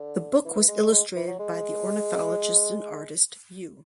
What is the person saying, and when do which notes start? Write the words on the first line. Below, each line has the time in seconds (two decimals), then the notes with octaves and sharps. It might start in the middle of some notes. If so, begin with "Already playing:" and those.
The book was illustrated by the ornithologist and artist Yu.
Already playing: D3
0.45 E3
0.68 G#3
0.92 G#3
1.15 E3
1.27 F#3
1.39 G#3